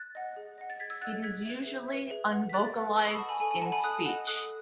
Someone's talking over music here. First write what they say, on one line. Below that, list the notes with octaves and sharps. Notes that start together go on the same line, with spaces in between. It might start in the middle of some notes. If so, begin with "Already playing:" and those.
It is usually unvocalized in speech.
Already playing: F#6 A6
D#5 F#5
G#4
D#5 F#5
A6
G#4 G#6 B6
E6 G#6
D#5 F#5 F#6 A6
G#4 G#6 B6
B4 E5
G#4
B4 E5
G#4
B4 F#5
B6
G#4 F#6 A6
B4 F#5
A4 C#6 E6
B5 D#6
D#5 F#5 A5 C#6
G#5 B5
A4 G#5
G#5
D#5 F#5 A5
G#5 B5
A4 D#6 F#6
D#5 F#5
A4 D#6 F#6